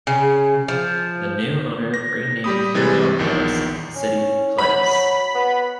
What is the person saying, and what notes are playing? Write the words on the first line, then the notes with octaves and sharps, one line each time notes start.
The new owner renamed the complex City Place.
C#3
F3
A#6
G3 G4 B5 D#6
C3 E3 G3 G#3 A6
A#1 E2 D#3
C#4
F#3 B5
B3